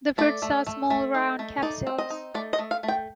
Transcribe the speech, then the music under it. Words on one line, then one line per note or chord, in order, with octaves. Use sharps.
The fruits are small round capsules.
A3 D5
A3
A3
A3
D#4
A3
D#4 D5
C4
D#5
D#4
A3 D5
D#5
A3
F5
A3
G5